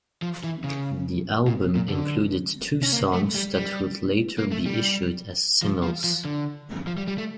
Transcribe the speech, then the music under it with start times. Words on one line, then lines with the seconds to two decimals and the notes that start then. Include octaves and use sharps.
The album included two songs that would later be issued as singles.
0.22 F3
0.44 E3
0.64 C#3
1.47 A#2
1.75 A#2
1.89 D3
2.83 C#4
2.92 A#3
3.13 A3
3.35 G3
3.55 G3
4.38 A#3
4.51 A3
4.66 G3
5.62 F3
5.83 F3
6.04 F3
6.25 D3
6.87 F3
6.98 G3
7.08 G3
7.18 A3